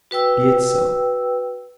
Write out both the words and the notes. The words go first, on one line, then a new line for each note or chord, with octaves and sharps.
Be it so.
F#4 B4 G5 E6